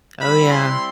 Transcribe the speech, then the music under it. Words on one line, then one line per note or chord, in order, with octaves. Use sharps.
Oh, yeah.
G3 C4 E4 B5
C6